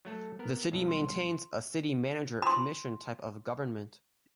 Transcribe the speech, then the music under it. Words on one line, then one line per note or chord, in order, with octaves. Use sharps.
The city maintains a city manager commission type of government.
F#3 A3 A4
B3 A#4
B1 G2
C6
B5 C6